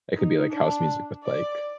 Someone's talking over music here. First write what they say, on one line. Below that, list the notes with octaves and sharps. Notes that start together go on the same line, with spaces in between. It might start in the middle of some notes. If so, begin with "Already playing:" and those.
It could be, like, house music with, like
D#4
D4
D5